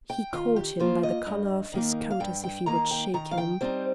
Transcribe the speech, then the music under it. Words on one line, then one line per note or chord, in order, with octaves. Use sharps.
He caught him by the collar of his coat as if he would shake him.
G5
D#3 F4
G4
A#3 F4 C5
D#5
G2
D#3 A#3 D#4
F5
G2 G5
G5
D#3 A#3 D#4 A#5
G5
D#3 A#5
F5
G5
G3 C4 D#4 C5